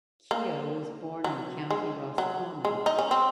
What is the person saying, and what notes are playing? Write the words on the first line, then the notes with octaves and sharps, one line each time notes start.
Keogh was born in County Roscommon.
A#3
F#3
G#3
F#3
G#3
D#4
C#4
C4